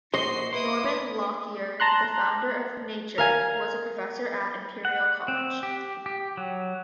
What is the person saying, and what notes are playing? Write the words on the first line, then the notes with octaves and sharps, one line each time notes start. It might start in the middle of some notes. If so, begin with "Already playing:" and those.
Norman Lockyer, the founder of "Nature", was a professor at Imperial College.
A#2 F#4 C5 D#5 C6 C7
E4 B4 C6 D#6
A5 A#5 C6 F#6
A#4 F5 G#5
F#5
C4
G4
G4
F#3